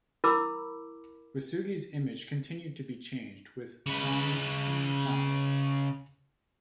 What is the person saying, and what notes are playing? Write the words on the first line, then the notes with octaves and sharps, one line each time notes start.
Wesugi's image continued to be changed with song "Same Side".
E4 A#4 B5 D6 E6
C#3 B4